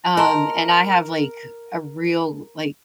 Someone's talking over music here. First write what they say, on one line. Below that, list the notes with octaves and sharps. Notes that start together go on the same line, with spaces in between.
um, and I have, like, a real, like,
A#4 D#5 A5 C6